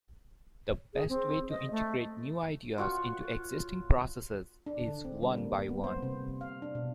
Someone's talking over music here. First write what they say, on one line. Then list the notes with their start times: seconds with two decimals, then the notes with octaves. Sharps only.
The best way to integrate new ideas into existing processes is one-by-one.
0.94 G#4
1.09 C4
1.49 D#5
1.71 A3
2.78 F4 F#4 C#5
4.66 D4
4.87 D3
5.05 C4
5.23 G3
5.38 A#3
5.69 B3
5.84 C5
6.02 C3
6.41 F5
6.62 D4
6.75 B2